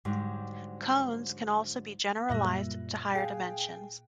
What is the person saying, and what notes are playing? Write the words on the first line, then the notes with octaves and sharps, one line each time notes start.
Cones can also be generalized to higher dimensions.
G#2 D3 F#3 G3
F#2 A#2 G3 E5 F#6 A#6
G#4 F5 G5